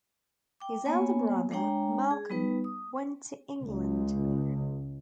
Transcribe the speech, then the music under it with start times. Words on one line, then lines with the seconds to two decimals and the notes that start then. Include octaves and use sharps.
His elder brother, Malcolm, went to England.
0.60 G5 D6
0.85 A#3 B3 C#5 G#5
1.51 G#3 D4 C#5 G5 A#5
2.11 G#4
2.30 G3 B3 D#4 B4
2.64 D#6
3.63 C#2